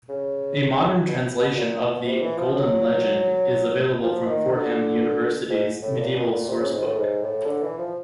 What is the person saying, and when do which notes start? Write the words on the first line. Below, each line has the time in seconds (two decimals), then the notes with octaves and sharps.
A modern translation of the "Golden Legend" is available from Fordham University's Medieval Sourcebook.
0.09 C#3
1.08 B2
1.40 B2
1.57 A#2
1.81 B2
2.06 C3
2.22 E3
2.38 F3
2.55 F#3
4.03 F3
4.27 D#3
4.51 D3
5.50 G#2
5.82 A2
5.99 A#2
6.15 B2
6.31 A#2
6.48 C3
6.60 C#3
6.73 G#2
6.84 A2
6.97 G#2
7.22 A2
7.46 D3
7.62 E3
7.78 F3